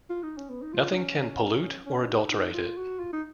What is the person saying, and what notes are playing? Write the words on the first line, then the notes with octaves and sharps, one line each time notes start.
Nothing can pollute or adulterate it.
F4
D#4
C#4
B3
D#4
F4
D#4
C#4
C#4
D#4
D#4
F4
F#4
F4
D#4